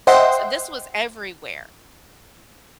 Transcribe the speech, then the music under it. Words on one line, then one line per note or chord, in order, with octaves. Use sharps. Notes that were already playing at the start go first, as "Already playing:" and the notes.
so this was everywhere.
C5 D#5 E5 F#5 G5 C6